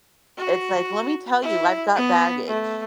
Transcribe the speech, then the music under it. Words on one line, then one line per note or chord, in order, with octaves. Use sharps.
it's like, "Let me tell you, I've got baggage,"
F#4
E4
B3
A3